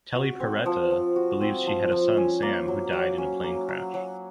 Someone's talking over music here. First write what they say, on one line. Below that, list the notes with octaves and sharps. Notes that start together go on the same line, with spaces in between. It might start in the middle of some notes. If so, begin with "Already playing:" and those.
Telly Paretta believes she had a son, Sam, who died in a plane crash.
F#4
C4
F3
F3
F#4
C4
F3
F3
C#4
A#3
F#3
F#3
C#4
A#3
F#3
F#3